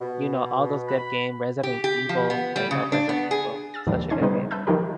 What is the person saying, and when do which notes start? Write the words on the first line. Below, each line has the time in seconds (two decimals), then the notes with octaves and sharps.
you know, all those good games, Resident Evil- I love Resident Evil, such a good game.
0.02 B2
0.88 B5
1.63 G4
1.84 G4
2.09 F3
2.30 B3
2.56 G3
2.71 C#3
2.92 D4
3.09 B3
3.31 G#4
3.74 E6 F6 A6
3.86 D#2 G#2 D#3 F3 G3 D4
4.10 C#4 D#4 C6 G#6
4.21 C#3 G3 B3 D#4 B4 C5
4.51 B4 E5 A5 E6 G6
4.67 D#3 F3 D#4 F4 G4 A#4